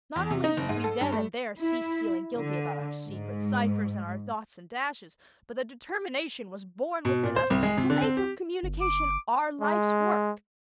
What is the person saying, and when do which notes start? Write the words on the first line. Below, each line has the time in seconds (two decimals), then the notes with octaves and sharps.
Not only did we then and there cease feeling guilty about our secret ciphers and our dots and dashes, but the determination was born within us to make of communication our life's work.
0.16 E2
0.31 C3
0.44 D#4
0.57 F#1
0.69 G#2
0.84 A4
1.01 G2
1.12 A3
1.58 E4
2.36 D3
3.07 G#2
7.05 B2
7.24 A#2
7.36 C5
7.50 C2
7.63 G#3
7.77 C3
7.90 D3
8.02 C4
8.17 G4
8.63 G1
8.81 D6
9.61 G#3